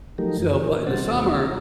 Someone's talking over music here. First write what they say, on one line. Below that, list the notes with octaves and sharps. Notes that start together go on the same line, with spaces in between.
so- but in the summer,
F3 F#3 A3 D#4 G4 A#4
F#2 E3
A#2 A#4
B2 G3 C4 C5 F#5 A6
D#2 D#3 B3 F#4
A#5